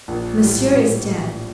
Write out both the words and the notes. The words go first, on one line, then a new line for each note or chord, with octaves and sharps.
"Monsieur is dead."
A#1
A2 G3
A#1